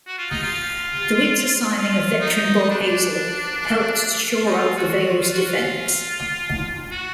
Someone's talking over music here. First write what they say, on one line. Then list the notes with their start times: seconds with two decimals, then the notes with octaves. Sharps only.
The winter signing of veteran Bob Hazell helped to shore up the Vale's defence.
0.07 F#4
0.18 F4
0.31 D#4
0.42 F4
1.78 F4
2.21 D#4
2.63 D#4
2.70 D4
2.85 D4
4.35 F4
4.46 D#4
4.58 F4
4.77 F#4
5.20 F4
5.33 F#4
5.47 F4
6.91 F#4